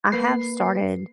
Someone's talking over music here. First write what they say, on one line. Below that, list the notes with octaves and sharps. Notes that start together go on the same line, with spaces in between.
I have started
A#3 B4 C7